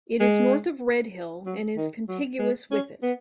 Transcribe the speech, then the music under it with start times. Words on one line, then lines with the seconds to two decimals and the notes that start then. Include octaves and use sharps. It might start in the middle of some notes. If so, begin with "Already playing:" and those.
It is north of Redhill and is contiguous with it.
0.20 G#3
1.46 F#3
1.77 D#3
2.08 F#3
2.39 G#3
2.71 C#4
3.03 B3